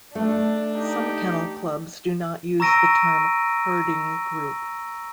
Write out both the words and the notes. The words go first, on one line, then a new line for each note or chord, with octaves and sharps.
Some kennel clubs do not use the term "Herding Group".
A3 D4
D#4 G4
A#5 C#6 E6 A#6 D7 D#7